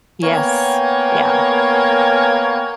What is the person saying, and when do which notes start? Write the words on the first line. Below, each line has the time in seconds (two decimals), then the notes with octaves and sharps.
Yes. Yeah.
0.23 A#3 B3 C#5 G5 G#5